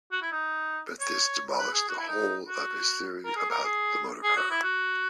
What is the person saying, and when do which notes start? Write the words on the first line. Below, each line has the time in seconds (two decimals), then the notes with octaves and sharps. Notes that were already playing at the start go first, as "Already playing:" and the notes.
But this demolished the whole of his theory about the motorcar.
0.12 F#4
0.22 E4
0.32 D#4
1.00 C#5
1.58 B4
1.73 G#4
1.88 F#4
1.98 E4
2.08 D#4
2.47 F#4
3.25 A#4
3.36 G#4
3.50 A#4
3.64 G#4
4.23 G#4
4.36 F#4
4.50 E4
4.63 F#4